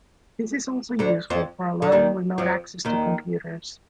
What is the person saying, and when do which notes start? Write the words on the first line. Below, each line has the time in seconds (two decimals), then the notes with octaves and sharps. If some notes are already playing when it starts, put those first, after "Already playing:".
This is also useful for allowing remote access to computers.
0.99 D2 D3
1.30 F2 F3
1.82 D3
1.92 D#2 D#3
2.38 F2 F3
2.85 D#2 D#3